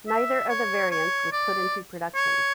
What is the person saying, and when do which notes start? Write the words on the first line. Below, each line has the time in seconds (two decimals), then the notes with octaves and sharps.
Neither of the variants was put into production.
0.08 E5
0.49 C#5
0.91 C#5
1.32 D5
2.15 C#5